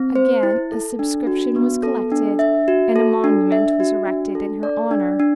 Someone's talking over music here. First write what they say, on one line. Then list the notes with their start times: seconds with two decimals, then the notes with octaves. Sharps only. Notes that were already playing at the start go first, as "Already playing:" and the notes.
Again a subscription was collected and a monument was erected in her honor.
Already playing: C4
0.15 C5
0.43 E4
0.72 A4
0.99 D4
1.27 F#4
1.56 B3
1.83 A4
2.12 D4
2.39 E5
2.68 F#4
2.96 A4
3.24 D4
3.52 E5
3.80 F#4
4.07 D4
4.35 A4
4.63 D5
4.91 D4
5.20 D4